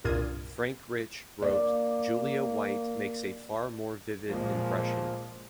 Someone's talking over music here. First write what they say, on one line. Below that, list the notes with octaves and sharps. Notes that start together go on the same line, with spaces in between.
Frank Rich wrote: Julie White makes a far more vivid impression.
C2 G2 A#2 F4 D#6 G#6
A#3 D5
A#2 F3 G#3 A#3